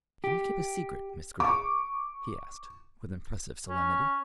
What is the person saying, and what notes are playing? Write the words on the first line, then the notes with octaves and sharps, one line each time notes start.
"Can you keep a secret, Miss Greeb?" he asked, with impressive solemnity.
G4
C#6 D6
C#4